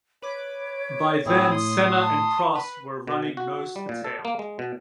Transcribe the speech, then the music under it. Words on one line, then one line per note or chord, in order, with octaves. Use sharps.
By then, Senna and Prost were running nose-to-tail.
B4 C#5 D6
A2 C4 E4 G#4
C6 D#6
A5
B4
B2
F#4
G3
A#2
A4
A#3
G#3
B2